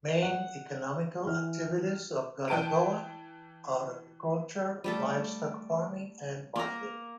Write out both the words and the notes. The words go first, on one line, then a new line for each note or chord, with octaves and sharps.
Main economical activities of Garagoa are agriculture, livestock farming and mining.
F#5
E3 F6
E3 G5 A5 D7 D#7
G3 A3 A4
A#3 A#4